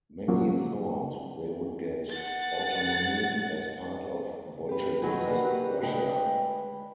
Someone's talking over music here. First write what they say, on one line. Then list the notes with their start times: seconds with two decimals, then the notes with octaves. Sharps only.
Many thought they would get autonomy as part of Bolshevist Russia.
0.28 C#3 F3 F#3 A#3
2.10 F#5 A6
4.69 G4 B4
5.02 F#2 D#3 F#3 F#4 G#4 B4
5.26 A#3 D4 F#4 G4 B4
5.83 D2 G#3 B4 G5 A5